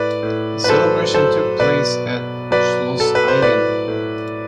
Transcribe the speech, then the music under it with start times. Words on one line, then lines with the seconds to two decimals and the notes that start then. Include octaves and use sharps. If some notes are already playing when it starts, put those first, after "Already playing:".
The celebration took place at Schloss Aigen.
Already playing: A2 B4 D5
0.23 A2
0.64 B4
0.68 F#3 A4 C5
1.14 F#3 A4 C5
1.60 B2 B4 D5
2.05 B2
2.51 F#3 B4 D5
2.97 F#3 A4
3.15 B4
3.28 C5
3.42 A2 B4 D5
3.88 A2